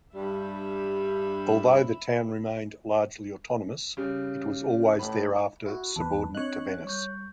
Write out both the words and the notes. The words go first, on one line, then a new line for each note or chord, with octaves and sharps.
Although the town remained largely autonomous, it was always thereafter subordinate to Venice.
G2 G3 E5 B5
C#3 G3
A2 B5
E4 F#4
E2 B4 A5
C4 D4 C#5 D#5 F#6
G3 C#6 G6